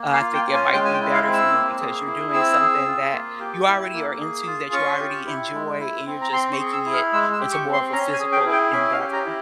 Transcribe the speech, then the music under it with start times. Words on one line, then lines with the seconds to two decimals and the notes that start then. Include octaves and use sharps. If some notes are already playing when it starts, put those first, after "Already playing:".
uh, I think it might be better for you because you're doing something that you already are into, that you already enjoy, and you're just making it into more of a physical endeavor.
Already playing: A#3
0.13 F5
0.20 F4
0.34 G5
0.47 C#4
0.54 G#5
0.73 G#3 G5
0.85 G#5
0.93 G5
1.01 E4
1.14 F5
1.27 C4
1.33 E6
1.53 A#3
1.80 G#4
2.06 E4
2.33 C4 E6
2.60 G#4
2.86 F4
3.13 A#3
3.40 G4
3.66 E4
3.93 A#3
4.20 G#4
4.47 F4
4.73 C#4 C#6
4.99 G4
5.26 E4
5.53 G#3
5.79 E4
6.06 C4
6.22 A#5
6.32 C4 C6
6.53 C#6
6.59 G#4
6.66 C#6
6.73 E6
6.86 E4
6.93 F6
7.13 G#3 E6
7.33 E6
7.39 G4
7.53 C#6
7.66 C4
7.73 C6
7.92 C#4 A#5
8.13 G#5
8.20 G#4
8.32 G5
8.46 E4
8.52 G5
8.73 C#4 E5
8.93 F5
8.99 G4
9.13 A#5
9.26 E4